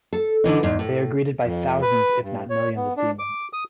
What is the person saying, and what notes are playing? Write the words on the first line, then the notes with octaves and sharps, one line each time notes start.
They are greeted by thousands if not millions of demons.
A4
D3 E3 D#4
E2 G#2
A2
F2
B4
G2
C#5
B3
D4
D6
D#6